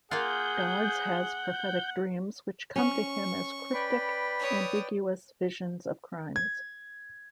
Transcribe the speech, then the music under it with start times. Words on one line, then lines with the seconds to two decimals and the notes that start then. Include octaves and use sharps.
Dodds has prophetic dreams which come to him as cryptic, ambiguous visions of crimes.
0.11 A#3 F4 G#4 F#5 G6
2.76 C#4 C#6
3.74 B4 D5 G5 B5
4.40 C#5 D#6
6.36 G#6